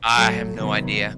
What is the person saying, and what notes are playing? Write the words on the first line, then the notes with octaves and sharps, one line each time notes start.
I have no idea.
A2 F#3 A3
C3 D#3 F#3 B3